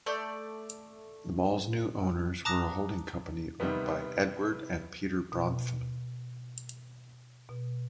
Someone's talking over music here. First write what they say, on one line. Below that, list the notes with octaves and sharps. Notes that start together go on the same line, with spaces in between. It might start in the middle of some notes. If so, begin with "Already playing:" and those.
The mall's new owners were a holding company owned by Edward and Peter Bronfman.
A3 D5 G6
A5 A#5 D6 D#6 F#6 A#6
C3 D#3 G3 B3
B2
B2